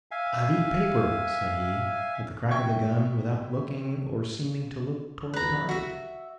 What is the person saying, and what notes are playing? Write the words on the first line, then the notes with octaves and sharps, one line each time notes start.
"I've eat paper," said he, at the crack of the gun, without looking, or seeming to look, toward the target.
E5 F5 G#5
E5 G5 C#6 G#6
B4 A#5
F#4 E5